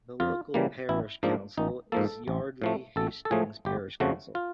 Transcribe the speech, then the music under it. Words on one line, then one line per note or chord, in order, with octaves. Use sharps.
The local parish council is Yardley Hastings Parish Council.
F2 F4
C#3 E3 G3 A#3
A1 E4
G#2 F3 A#3 D4
A1 D#4
G#2 F3 A#3 A4
A1
A2 F3 A3
A1 A4
A4
A2 F3 A3 G#4
G1 G4
F2 C#3 F3 A3 F#4
F4